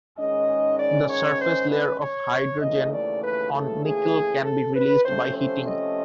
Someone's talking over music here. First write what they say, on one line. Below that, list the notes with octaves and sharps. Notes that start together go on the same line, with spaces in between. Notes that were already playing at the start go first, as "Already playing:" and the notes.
The surface layer of hydrogen on nickel can be released by heating.
G#2 D#3 G#3 C#4 D#5
D5
C#5
C5
B4
C#5
D#2 C#3 E3 A3 D#5
D5
B4
A4
G#4
A4
B4
C3 F3 A3 C#4 C5
C5
D#5